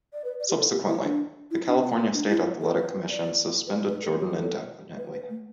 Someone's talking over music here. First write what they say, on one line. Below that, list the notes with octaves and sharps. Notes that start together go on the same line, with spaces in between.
Subsequently, the California State Athletic Commission suspended Jordan indefinitely.
D5
B4
D5
G4
A4
G4
E4
D4
E4
D4
B3
D4
E4
A4
B4
D5
B4
D5
B4
A4
G4
G4
A4
B4
B4
A3